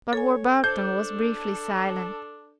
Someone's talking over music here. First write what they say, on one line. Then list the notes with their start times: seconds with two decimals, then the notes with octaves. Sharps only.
Lord Warburton was briefly silent.
0.13 A4 C#5 G#5
0.64 D4 A4 C5 G6